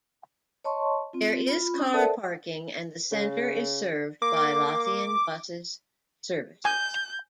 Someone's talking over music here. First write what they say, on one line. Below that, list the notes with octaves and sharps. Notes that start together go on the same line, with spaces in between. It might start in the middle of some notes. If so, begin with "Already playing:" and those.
There is car parking and the centre is served by Lothian Buses services.
C#5 D#5 A5 C6 C#6
C4 F4
F4 B5
C#4 D#6
A4 A#4 C5 D5 E5 A5
C#3
A#3 D6
G#5 G6